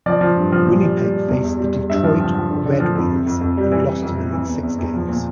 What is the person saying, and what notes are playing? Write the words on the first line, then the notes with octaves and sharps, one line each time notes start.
Winnipeg faced the Detroit Red Wings and lost to them in six games.
F3 D5
F3
G2
F3
A#2
G3
G3
G3
E2
E2
G3
E2
G2 E5
F3
F3
F3
D3
D3
F3
F2
C3
F2
F2
G3
E3
C3
F2
C3
E3
E2
E2
E2
F3
A#2